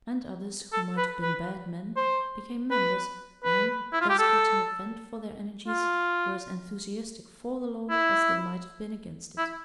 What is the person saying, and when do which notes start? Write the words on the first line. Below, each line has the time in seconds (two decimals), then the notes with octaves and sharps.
And others, who might have been bad men, became members and, thus getting a vent for their energies, were as enthusiastic for the law as they might have been against it.
0.72 A4
0.97 B4
1.23 B4
1.96 C5
2.71 B4
3.44 B4
3.93 E4
4.01 F4
4.10 G4
4.19 A4
5.67 F4
7.90 E4
9.38 E4